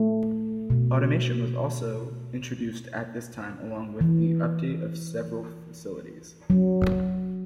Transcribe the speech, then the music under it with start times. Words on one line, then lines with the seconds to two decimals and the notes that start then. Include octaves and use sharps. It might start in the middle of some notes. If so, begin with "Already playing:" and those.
Automation was also introduced at this time along with the update of several facilities.
Already playing: A3
0.70 B2
4.01 E3
6.50 F#3